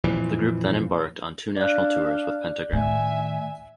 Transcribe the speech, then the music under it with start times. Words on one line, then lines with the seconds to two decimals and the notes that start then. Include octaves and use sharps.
The group then embarked on two national tours with Pentagram.
0.04 F2 A#2 E3
1.57 D4 D5 F5 F#6
2.73 A2 D#3 E5 G#5